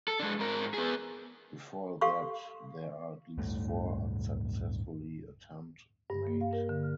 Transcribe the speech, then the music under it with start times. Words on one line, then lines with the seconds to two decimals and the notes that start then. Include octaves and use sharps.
Before that there are at least four unsuccessfully attempt made.
0.08 A4
0.20 G#3 D4
0.40 G#2 A#4
0.74 B3 G#4
2.01 G4 A4 F5 C6 C#6
3.38 D1 G2 A3
6.10 G2
6.27 A#3
6.41 F5
6.53 A#4
6.69 D3
6.83 F6